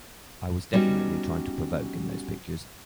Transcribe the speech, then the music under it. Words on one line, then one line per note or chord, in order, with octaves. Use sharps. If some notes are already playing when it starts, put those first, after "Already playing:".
I was definitely trying to provoke in those pictures.
G3 B3 C#4 D#4 F#4 G4